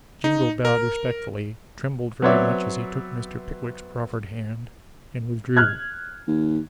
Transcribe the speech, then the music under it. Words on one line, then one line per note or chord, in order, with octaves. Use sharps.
Jingle bowed respectfully, trembled very much as he took Mr. Pickwick's proffered hand, and withdrew.
D#4
A#4
F#3 B3 C4 C#5 D5 E5
F6 F#6 G#6
D#2